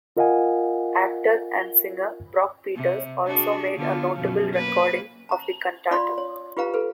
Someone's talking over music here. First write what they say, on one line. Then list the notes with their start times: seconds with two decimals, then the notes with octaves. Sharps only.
Actor and singer Brock Peters also made a notable recording of the cantata.
0.17 F4 A#4 D#5 F5 F#5 G#5
2.76 C3
3.27 D4 F#4 G#4
3.77 D3 B3 F4
4.16 F#2 B2 F3
4.54 A#3 B4
5.29 A5 A#5
5.91 F4 D5 F5 B5 C6
6.18 C#5
6.57 F4 G4 B4 F5 A#5
6.74 A4 B4